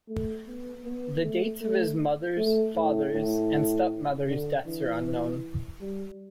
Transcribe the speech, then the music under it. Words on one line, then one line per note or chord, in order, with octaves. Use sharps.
The dates of his mother's, father's, and stepmother's deaths are unknown.
A3
B3
B3
A3
A3
A3
A2
A2
D3
E3
G3